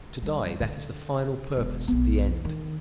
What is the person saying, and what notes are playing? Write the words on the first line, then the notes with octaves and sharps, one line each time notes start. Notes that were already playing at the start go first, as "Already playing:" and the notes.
To die, that is the final purpose, the end.
G3
D3
E1
B1 B3
D#3